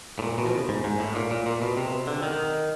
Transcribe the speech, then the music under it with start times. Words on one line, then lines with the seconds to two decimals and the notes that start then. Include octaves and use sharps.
"Go in, madam, go in."
0.19 A2
0.22 A#2
0.38 B2
0.69 G#2
0.84 G#2
1.00 A2
1.15 A#2
1.31 A#2
1.46 A#2
1.62 B2
1.77 C3
2.07 D3
2.23 D#3